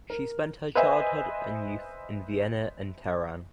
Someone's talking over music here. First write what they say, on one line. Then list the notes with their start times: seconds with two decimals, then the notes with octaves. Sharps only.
She spent her childhood and youth in Vienna and Tehran.
0.10 A#4
0.75 B4 C5 D#5 E5 G#5